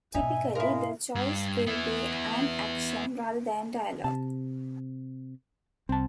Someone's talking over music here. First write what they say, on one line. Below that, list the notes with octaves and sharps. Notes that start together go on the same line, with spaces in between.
Typically, the choice will be an action rather than dialogue.
G#2 B2 D#4 E5 G#5
G#3 E4 A#4 F5
G2
B3 E4
C3 A5
C2 C4 A5